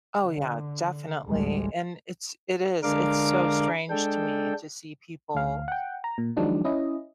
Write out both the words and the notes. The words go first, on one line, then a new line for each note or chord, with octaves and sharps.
Oh yeah, definitely, and it's it is, it's so strange to me to see people,
D3
A1 D2 G3 G#3
D3 G#3 D4 A#4 F5 D6
G#3 D4 A4 G5
D2 F5
F#5 G5
A#5
A#2
D#3 F3 F#3 G#3 D4 D#4
C#4 E4 D#5